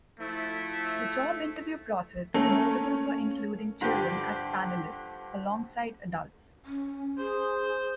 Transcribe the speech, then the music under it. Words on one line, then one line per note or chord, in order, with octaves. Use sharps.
The job interview process was notable for including children as panelists alongside adults.
F3 A3 E4
A3 A#3 C#4
G2 D3 F3 G4
C#4
G#4 C5